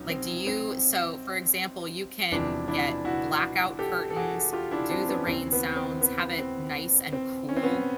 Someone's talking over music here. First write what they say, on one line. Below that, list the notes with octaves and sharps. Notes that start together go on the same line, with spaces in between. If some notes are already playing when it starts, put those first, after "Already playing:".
Like, do you so, for example, you can get blackout curtains, do the rain sounds, have it nice and cool,
Already playing: C2 B2 F#3 C#4 D#4
C4
C4
E1 E2 C3 F3 D4 E4
D4 E4
E4 F#4
G4 A4
A4
F#4 G#4
F4 G4
D4 E4
C4 D4
B3 C#4
D#2 C#3 E3 C4
B3
C4
B3
C4
C4
C#4
C4
B3 C#4